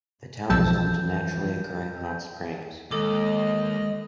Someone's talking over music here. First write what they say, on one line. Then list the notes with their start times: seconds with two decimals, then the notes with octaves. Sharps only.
The town is home to naturally occurring hot springs.
0.50 B1 F2 E3 A5 E6 G6
2.91 D#2 G#3 A4 D#5 D6